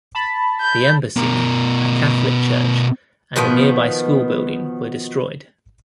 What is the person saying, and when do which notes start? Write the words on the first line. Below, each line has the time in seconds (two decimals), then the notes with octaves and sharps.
The embassy, a Catholic church, and a nearby school building were destroyed.
0.15 A5 B5
0.61 G6
1.16 B2 A#4
3.36 B2 D#3 F3 B3